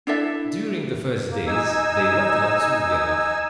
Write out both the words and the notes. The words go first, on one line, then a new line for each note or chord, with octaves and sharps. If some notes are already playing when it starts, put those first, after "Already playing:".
During the first days, they went along smoothly enough.
D4 E4 A4 E5
A#3
D#4 G#5 E6